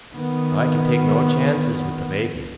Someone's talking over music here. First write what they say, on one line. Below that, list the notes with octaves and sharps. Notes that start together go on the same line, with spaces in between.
"I can take no chances with the baby."
D#3 B3